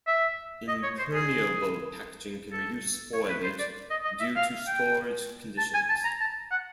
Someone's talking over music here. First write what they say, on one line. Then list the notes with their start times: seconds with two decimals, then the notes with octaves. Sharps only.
Impermeable packaging can reduce spoilage due to storage conditions.
0.07 E5
0.68 D#5
0.83 C#5
0.98 C5
1.14 G#4
2.52 A4
3.13 C#5
3.29 B4
3.44 C5
3.59 D5
3.90 D#5
4.04 D#5
4.20 E5
4.36 F5
4.67 G5
5.58 A5
5.74 G#5
5.89 A5
6.04 A#5
6.20 A5
6.51 F#5